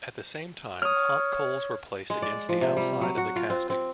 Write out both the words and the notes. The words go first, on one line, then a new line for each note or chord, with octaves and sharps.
At the same time hot coals were placed against the outside of the casting.
C#5 D#6 F6
G#3
D5
F3
C3
G3
F#3
F#4
F4
C4
C4